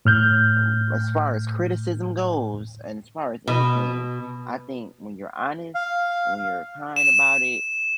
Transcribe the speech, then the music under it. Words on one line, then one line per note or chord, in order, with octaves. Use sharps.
ooh, as far as criticism goes, and as far as anything, I think when you're honest, when you're kind about it,
A2 F6 G6
B2
F5
E7